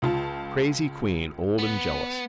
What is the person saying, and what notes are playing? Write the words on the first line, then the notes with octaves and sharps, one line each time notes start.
A crazy queen, old and jealous.
C#2 F4 A5
B3